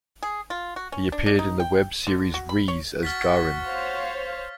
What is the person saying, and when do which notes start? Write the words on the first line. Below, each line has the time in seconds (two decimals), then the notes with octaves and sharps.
He appeared in the web series "Riese" as Garin.
0.23 G#4
0.50 F4
0.76 F#4
0.92 C#4
1.12 D4
1.26 D4
1.39 D#4
1.60 G5
2.07 D3
2.34 F#4
2.49 B5
2.68 C#5
3.03 F#4 F6 A6 B6
3.66 C5 C#5 F5